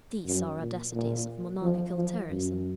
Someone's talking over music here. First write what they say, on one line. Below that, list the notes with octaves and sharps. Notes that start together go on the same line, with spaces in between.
These are audacities of monarchical terrorism.
F#2
A#2
A#2
F3
F3
F#2